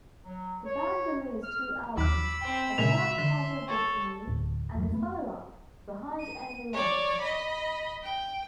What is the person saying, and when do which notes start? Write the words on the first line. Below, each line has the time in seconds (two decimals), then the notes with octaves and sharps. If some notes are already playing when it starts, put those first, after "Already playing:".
The band released two albums, a self-titled debut, and the follow-up "Behind Enemy Lines".
0.24 F#3
0.65 C#5
1.43 F6
1.97 D#2 B5 D6 E6 F6
2.40 C4 G5
2.78 A#2 C#3 G#3 E5 F7
3.18 D3 C6
3.68 A4 C#5
4.27 D1
4.74 F2 F#3
4.91 A3 B3
6.20 D#7
6.73 C#5 D5
7.20 D#5 B5
8.03 G5